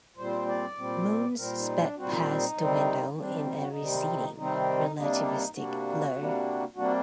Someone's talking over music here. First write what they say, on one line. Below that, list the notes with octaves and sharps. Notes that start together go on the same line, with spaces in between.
Moons sped past the window in a receding, relativistic blur.
A#2 G3 C4 C5
D5
A#2 G3 C4
A#2 G3 C4 A#4
D#4
D4
A#2 G3 C4 F#4
D#4
D4
D#4
C3 D#3 G3 C4
C3 D#3 G3 C4 D4
D#4
F#4
D#4
C3 D#3 G3 C4
C3 D#3 G3 C4 D#4
D#4
C3 G3 A#3 D4 D#4
C3 G3 A#3 D4 F#4
C3 G3 A#3 D4
C3 G3 A#3 D4 F#4